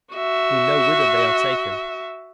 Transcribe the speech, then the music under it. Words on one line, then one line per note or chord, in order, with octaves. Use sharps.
We know whither they are taken!
F#4 E5